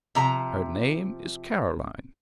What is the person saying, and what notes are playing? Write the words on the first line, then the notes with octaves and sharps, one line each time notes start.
'Her name is Caroline.
C3 F3 A#5